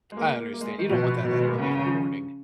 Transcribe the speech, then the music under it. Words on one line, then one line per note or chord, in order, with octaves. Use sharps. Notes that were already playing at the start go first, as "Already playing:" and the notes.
I understan you don't want that that early in the morning.
G#3
A#3
A#3
G#3
D#3
B2 F3
B2 D#3
F#3
G#3
A#3
C#3 B3
C#4
D#3
F3